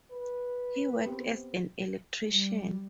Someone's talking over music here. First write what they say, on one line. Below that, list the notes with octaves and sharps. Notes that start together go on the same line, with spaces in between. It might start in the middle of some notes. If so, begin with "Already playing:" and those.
He worked as an electrician.
B4
B3 C4 G4
G3